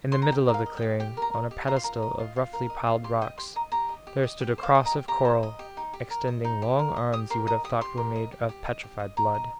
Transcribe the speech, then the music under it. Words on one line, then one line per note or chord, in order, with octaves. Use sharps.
In the middle of the clearing, on a pedestal of roughly piled rocks, there stood a cross of coral, extending long arms you would have thought were made of petrified blood.
C6
A#5
G4 G5
A#4
F5
D#5
G5
G4
G4 G5
A#4 A#5
D#5
G4
F4 A#5
C6
A#4 A#5
D#5
F4
F4
A#4
D#5
F4
G4 C6
D#5 G5
G4 C6
D#5 A#5
G4 A#5
D#5
G4
D#5
G4 G5
C5
F5
D#5
A#5
G4
G4 A#5
C5
D#5
G4
D#4
G4
A#4
D#5
D#4
G4
A#4
D#5
G4 D#6
A#4 C6
D#5 A#5
G4 D#6
G4 C6
A#4
D#5
G4
G4
D#5
G4
D#5
G4 A#5
D#5